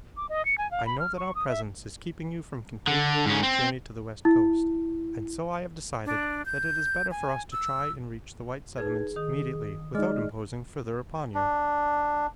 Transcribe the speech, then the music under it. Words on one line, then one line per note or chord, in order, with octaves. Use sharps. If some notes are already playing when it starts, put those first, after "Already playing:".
I know that our presence is keeping you from continuing your journey to the west coast, and so I have decided that it is better for us to try and reach the white settlements immediately without imposing further upon you.
D6
D#5
C#7
G#5
F5
B5
F6
C#6
D#6
E5
D3
G#2 C#4
C4
E4
D4
G6
G#5
E6
D#4 G#4 B4 G#6
D#3 D#6
G#3 D#4 G#4 D5 D#5 F6
D4